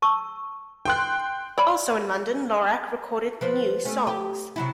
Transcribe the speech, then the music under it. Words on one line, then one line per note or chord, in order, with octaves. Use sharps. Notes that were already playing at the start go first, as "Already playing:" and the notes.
Also, in London Lorak recorded new songs.
A5 C#6 E6
G5 C6 F#6
C#5 D5 B5
F3 B4 C5
A3 C#4
G4
C3 F#3 E4